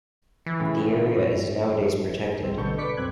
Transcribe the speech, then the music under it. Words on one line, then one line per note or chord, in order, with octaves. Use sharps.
The area is nowadays protected.
E3
A2 C#3
A#1 G#2 G3 C4
A1 B2 D3 A4 C#6 G6
B4 D5 D6 B6 C#7
C2 F#2 C4 F#6 G#6